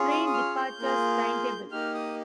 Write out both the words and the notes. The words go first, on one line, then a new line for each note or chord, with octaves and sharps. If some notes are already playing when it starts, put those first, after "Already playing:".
Train departures timetable.
Already playing: C#4 F4 G#4
D#6
D#6
F6
G6
A#3 F4 G#4
A#3 D#4 G4 F6
D#6